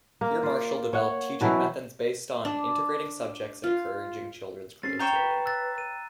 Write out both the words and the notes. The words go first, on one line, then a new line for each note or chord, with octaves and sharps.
Here Marshall developed teaching methods based on integrating subjects and encouraging children's creativity.
A#3
F4 D5
C#5 F#5
B2 E3 F#3 E4
D4
F4
C4 C#4 A6 C7
C#5 G5 A#5 D#6 E7
B4
E6 F#6 A6
D#7